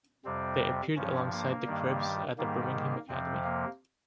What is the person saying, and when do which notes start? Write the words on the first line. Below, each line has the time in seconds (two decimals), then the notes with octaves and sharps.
They appeared alongside The Cribs at the Birmingham Academy.
0.25 F2 C3 G3 C4
0.96 G2 F3 C#4
1.32 A#3
1.67 G2 D#3 G3
2.38 G#2 D#3 G3 A#3
2.74 A#3
3.08 F2 C3 F3 C4
3.44 A#3